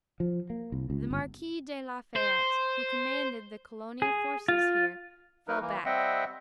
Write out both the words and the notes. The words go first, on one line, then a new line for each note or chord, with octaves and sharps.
The Marquis de la Fayette, who commanded the colonial forces here, fell back.
F3
A#3
C2
C#2
G1
C5
G#4
F4
F#3 D#4 A#4 B4
E3 A#3
G3 C4 D#5 E5 F#5 G5